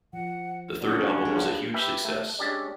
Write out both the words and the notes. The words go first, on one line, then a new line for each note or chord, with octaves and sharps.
The third album was a huge success.
F3 F#5
D3 F#3 A#3 C#4 D4 D5 F#5
G2 G#4
G4 B4 E5 G5
A3
G#3 C#4 D4 G4 A4 D5